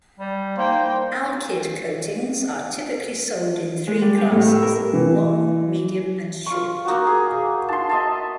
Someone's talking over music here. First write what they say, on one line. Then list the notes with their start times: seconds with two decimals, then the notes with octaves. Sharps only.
Alkyd coatings are typically sold in three classes: long, medium, and short.
0.20 G3
0.57 A#3 D#4 C5 G5
3.87 G#3
4.02 G3
4.18 G4
4.32 A2
4.49 E6
4.63 A#4
4.93 E3
6.46 F4 C#6
6.85 A#3 D#4 F#4
7.07 G#4
7.68 A5 C6
7.89 D#5 E5 A5